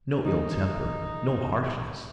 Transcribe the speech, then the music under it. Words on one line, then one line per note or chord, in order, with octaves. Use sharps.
No ill-temper, no harshness.
D#3 E3 D#4